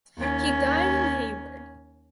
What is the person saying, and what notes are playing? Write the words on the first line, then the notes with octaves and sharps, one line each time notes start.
He died in Hayward.
D#2 C#4